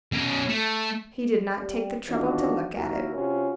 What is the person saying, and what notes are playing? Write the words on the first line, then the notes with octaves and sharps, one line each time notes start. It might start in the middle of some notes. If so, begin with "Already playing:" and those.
He did not take the trouble to look at it.
B2 C#4
A3
G3
E2 D#3 D4 F4 F#4
D#2 E4 F#4 A#4
C3 C#4 F4 F#4